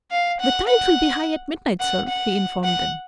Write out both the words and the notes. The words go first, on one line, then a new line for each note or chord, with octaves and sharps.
"The tide will be high at midnight, sir," he informed them.
F5
F#5
F#5
F#5
F#5
F#5